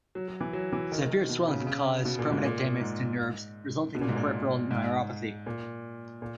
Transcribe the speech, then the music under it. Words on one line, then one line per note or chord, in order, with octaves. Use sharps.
Severe swelling can cause permanent damage to nerves, resulting in peripheral neuropathy.
F#3
F#3
E3
F#3
E3
D#3
D#3
B2
C#3
C#3
B2
A#2
G#2
A#2
G#2
B2
A#2
G#2
A#2
G#2
A#2
A#2